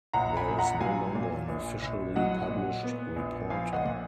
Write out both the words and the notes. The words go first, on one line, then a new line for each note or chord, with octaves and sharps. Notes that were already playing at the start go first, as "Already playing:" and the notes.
There is no longer an officially published reporter.
A#1 F#5 A#5
G#5 B5
A#1
F#5 A#5
F#3 F5 G#5
A#2
A#1
A#1
F#3 D#5 F#5
A#2
B3
A#1
F3 F5 G#5
D#5 F#5
A#2